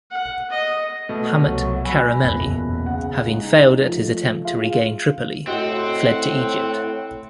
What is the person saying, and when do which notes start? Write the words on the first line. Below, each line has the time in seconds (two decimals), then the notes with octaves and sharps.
Hamet Caramelli, having failed at his attempt to regain Tripoli, fled to Egypt.
0.11 F#5
0.50 D#5
1.09 B2 A3
1.44 C2 F#3
1.84 F#5 G#5 B5 E6 F#6 A#6
2.23 F#1 B1 E2 A#2 B5 F#6
2.86 C#3 F#5
3.26 G#3 D#4
3.81 F3 A3
4.44 F4 G#4 F5
5.47 A2 C4 F#4 D#5 F#5